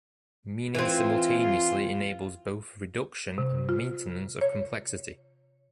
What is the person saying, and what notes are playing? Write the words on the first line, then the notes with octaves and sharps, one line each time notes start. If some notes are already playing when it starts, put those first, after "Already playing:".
Meaning simultaneously enables both reduction and maintenance of complexity.
E3 C4 F4
C3
F4
C#5